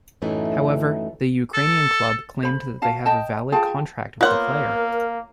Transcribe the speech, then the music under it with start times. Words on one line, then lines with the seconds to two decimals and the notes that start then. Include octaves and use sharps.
However, the Ukrainian club claimed that they have a valid contract with the player.
0.22 F#2 A2 E3 A3 D#4
1.54 A4
2.43 C5 B5
2.82 F#4 F5 A5
3.06 D#5 G5 A5
3.52 F4 G#4 G5 A5
4.21 A#3 B3 F4 A#4 C#5 F#5 C6